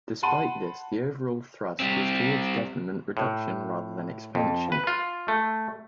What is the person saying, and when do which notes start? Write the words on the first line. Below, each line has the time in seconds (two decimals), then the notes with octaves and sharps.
Despite this, the overall thrust was towards government reduction rather than expansion.
0.23 F#5 A5 B5 C6 D#7
1.80 G3 C4
3.17 A2
4.35 F2
4.72 B4
4.87 F4
5.28 A3